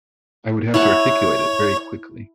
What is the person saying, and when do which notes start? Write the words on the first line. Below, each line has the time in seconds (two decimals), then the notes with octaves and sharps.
I would have to articulate it very quickly.
0.74 E4 C#5 F#5 A5